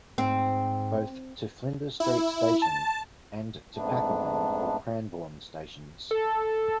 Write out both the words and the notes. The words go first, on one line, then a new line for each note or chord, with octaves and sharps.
Both to Flinders Street station and to Pakenham or Cranbourne stations.
G#2 C4
E4
A5
F2 G#2 A3 B3 D4
A4